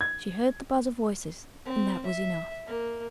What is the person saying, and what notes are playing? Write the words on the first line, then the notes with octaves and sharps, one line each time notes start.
She heard the buzz of voices; and that was enough.
G#6
C4
E5
A#3